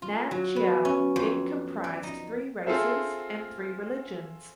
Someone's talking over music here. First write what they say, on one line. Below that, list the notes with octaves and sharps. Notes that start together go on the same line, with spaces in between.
Nam Chiao then comprised three races and three religions.
F4
F#3
B3
C#4
F2
D5
D#4
C4 F4 G#4 A4 C5 E5